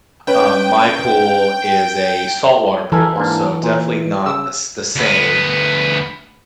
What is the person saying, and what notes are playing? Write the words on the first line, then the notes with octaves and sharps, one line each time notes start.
Um, my pool is a saltwater pool, so definitely not the s the same,
C#4 B4 G5
E3 A4 A#4 G#5
G#2 A#3 D4
A#2
C#3 E6
D2 B3